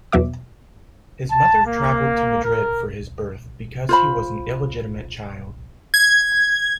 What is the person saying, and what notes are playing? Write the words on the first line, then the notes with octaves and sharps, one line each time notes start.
His mother travelled to Madrid for his birth, because he was an illegitimate child.
E2 B2 F#3 E5 D6
A5
A#3
A#4
F4 C5 B5
G#6